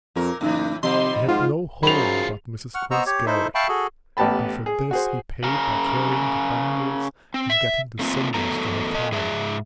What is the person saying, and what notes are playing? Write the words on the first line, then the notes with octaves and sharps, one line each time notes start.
He had no home but Mrs. Quinn's garret; and for this he paid by carrying the bundles and getting the cinders for her fire.
F2 A#2 A#4
F#1 A2 E3 D#4
C3 D#3 F3 G3 D#5 C6
G#2 F4 F#5
F#2 F#3 D#4 F4 G#4 C5 B5 F7
F#5 C#6 F6
B3 C5 D#5 A#5 C#6 E6
G4 C#5
D#4 E4 A4 C5 E5
E5 F5 G5 A5 B5 C#6
F#4 G#4 A4
A1 B3 G4 A5 B5
G#4
F#4 G#4 C5
C#3 A#4
C4
E5
A3 A#3 C4 F4
E2 F#3 A3 B3 A4 A#5
A4 D#5
G#2 G#4 E5